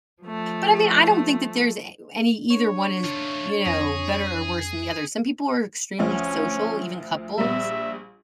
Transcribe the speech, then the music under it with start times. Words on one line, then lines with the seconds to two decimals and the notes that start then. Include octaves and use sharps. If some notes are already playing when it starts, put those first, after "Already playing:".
But, I mean, I don't think that there's a any either one is, you know, better or worse than the other. Some people are extremely social, even couples,
0.22 F3 A3
2.51 D4 C#5
3.04 A3 F4
3.66 F2 G#4 A#6
5.99 D2 F3 C#4
7.38 A#1 G3 E5